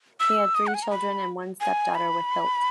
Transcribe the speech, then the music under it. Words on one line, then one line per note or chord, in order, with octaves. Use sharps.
He had three children and one stepdaughter with Hilt.
E6
D#6
F#5
G#5
A#5
B5
G#5
B5